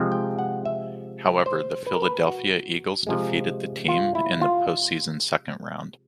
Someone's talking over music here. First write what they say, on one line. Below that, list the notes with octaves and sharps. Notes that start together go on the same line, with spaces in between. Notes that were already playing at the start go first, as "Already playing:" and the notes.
However, the Philadelphia Eagles defeated the team in the postseason's second round.
Already playing: C3 F3 G#3 C4
G5
F#5
E5
C5
B4
A#4
B4
F#4
C3 F3 G#3
F4
E4
F4